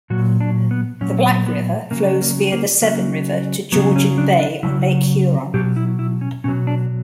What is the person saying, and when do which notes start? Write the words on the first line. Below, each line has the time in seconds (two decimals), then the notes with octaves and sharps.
The Black River flows via the Severn River to Georgian Bay on Lake Huron.
0.10 A#2 F#3 F#4
0.41 D4
0.71 B3
1.01 A#2 F#3 C#4
1.46 B3
1.91 C#3 F#3 A#3
2.21 A#3
2.52 A#3
2.82 C#3 F#3 A#3
3.72 F#3 B3
3.76 C#3
3.96 C#4
4.18 D4
4.40 D4
4.63 C#3 F#3 E4
5.54 B2 F#3 G4
5.76 E4
5.99 E4
6.21 C#4
6.44 B2 F#3 C#4
6.67 D4